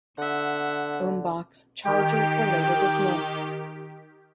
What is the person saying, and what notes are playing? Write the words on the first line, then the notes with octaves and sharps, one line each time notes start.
Umbach's charges were later dismissed.
D3 E5 F#5
D#3 G4 G5